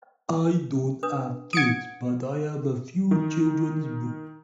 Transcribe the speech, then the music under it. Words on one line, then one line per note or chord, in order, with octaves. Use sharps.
I don't have kids, but I have a few children's books.
D4 B4 D#6
F#5 D#6 G#6 C#7 D7
D#3